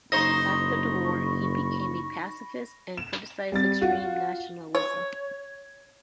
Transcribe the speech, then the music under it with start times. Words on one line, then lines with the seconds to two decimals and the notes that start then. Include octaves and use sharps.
After the war he became a pacifist and criticized extreme nationalism.
0.12 F#1 D#4 C5 D#5 B5 C#6 A#6 G7
2.97 E7
3.52 G3 C4 A6
3.81 F4 F#4
4.75 C#5